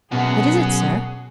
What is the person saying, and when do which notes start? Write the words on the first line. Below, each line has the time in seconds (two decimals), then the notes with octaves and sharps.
"What is it, sir?"
0.11 F#2 B2 G#4 F#5